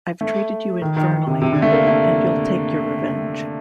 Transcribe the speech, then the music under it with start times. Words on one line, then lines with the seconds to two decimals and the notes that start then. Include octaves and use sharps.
I’ve treated you infernally — and you’ll take your revenge!
0.21 A3
0.82 D#3
0.97 D#3
1.11 D#3
1.27 C3
1.42 C3
1.52 D3
1.62 A3
1.72 A#3
1.87 A3